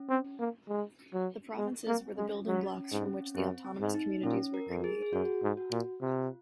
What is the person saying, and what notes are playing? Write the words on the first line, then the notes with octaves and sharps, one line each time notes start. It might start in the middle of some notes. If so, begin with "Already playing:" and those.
The provinces were the "building-blocks" from which the autonomous communities were created.
Already playing: C#4
C4
A#3
G#3
F#3
G#3
A#3 C4
G#3 C#4
F#3 C#4
C#4
G#2 C4
C#4
F#2 C4
C4
G#2
D#4
A#2 C#4
A#4
F2
G#4
G#4
F#2 F#4
G#2
F#4
A#2
C3 F4